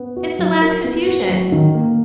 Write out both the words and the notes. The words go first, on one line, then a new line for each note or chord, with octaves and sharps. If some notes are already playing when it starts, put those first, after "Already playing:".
It's the last confusion.
Already playing: B3
F#4
F#3
A#4
B3
F#4
F#3
D#3
A#3